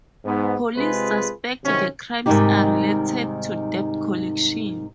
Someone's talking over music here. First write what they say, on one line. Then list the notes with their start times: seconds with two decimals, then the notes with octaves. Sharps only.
Police suspect the crimes are related to debt collection.
0.24 G#2 B3
0.75 C3 G#3 C4 F4 G#4 B4
1.64 C3 D#3 F#3 C#4
2.26 G#2 C3 D#3 G3 D#4 G4